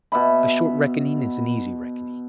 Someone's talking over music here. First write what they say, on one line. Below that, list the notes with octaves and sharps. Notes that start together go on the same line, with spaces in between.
A short reckoning is an easy reckoning.
B2 E5 B5